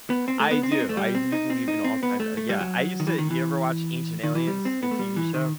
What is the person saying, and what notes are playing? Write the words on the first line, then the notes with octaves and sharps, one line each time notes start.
I do, I do believe in all kinds o yeah, I used to you ever watch Ancient Aliens, the TV show?
B3
C4
A3
B3
C4
D#4
C4
A3
G3
C4
D#4
C4
D#4
C4
B3
A3
A3
G3
F#3
D#3
E3
D#3
E3
D#3
E3
G3
C4
B3
A3
G3
E3
D#3